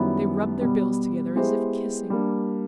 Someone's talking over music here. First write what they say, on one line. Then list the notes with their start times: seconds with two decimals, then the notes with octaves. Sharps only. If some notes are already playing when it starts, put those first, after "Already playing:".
They rubbed their bills together as if kissing.
Already playing: F#2 D#3 G3 B3 E4
0.60 B2 G3 B3
1.36 G#3 B3 E4 G4 C5
2.10 G3 A#3 D4